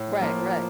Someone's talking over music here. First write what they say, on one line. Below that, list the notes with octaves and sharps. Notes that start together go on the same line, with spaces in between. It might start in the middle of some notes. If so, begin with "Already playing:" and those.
Right, right.
Already playing: A2
F3 A#3 F4